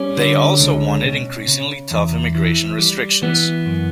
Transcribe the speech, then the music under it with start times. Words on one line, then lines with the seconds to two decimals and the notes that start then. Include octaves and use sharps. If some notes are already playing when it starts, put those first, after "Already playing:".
They also wanted increasingly tough immigration restrictions.
Already playing: G3 C#4
0.17 D3
0.60 C#2
1.04 B2
1.48 C#3
1.91 E2
2.35 E3
2.78 G3
3.22 E3 B3
3.66 F#2